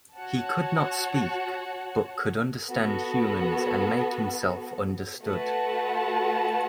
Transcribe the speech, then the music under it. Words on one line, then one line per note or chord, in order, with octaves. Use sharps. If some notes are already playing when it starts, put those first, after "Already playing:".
He could not speak, but could understand humans and make himself understood.
F#4 C#5 F#5 A5
B3 F#4 A4
A3 F#4 B4 F#5 A5